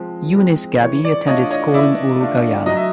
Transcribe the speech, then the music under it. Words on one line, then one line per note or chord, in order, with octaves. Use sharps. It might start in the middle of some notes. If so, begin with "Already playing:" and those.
Eunice Gabbi attended school in Uruguaiana.
Already playing: F3 G#3 C4
G#3 C4
E3 C#5
D5
A3 D4 F4 C#5 D#5
C#5 D#5
E3 D5 E5
A3 D4 F4
F#3 D#5
E5